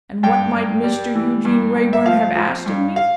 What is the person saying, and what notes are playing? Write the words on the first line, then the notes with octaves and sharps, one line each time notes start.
And what might Mr Eugene Wrayburn have asked of me?'
G2 G5
G2
G3
E3
G2
G2
E5
F3 F5
F3
G2
F5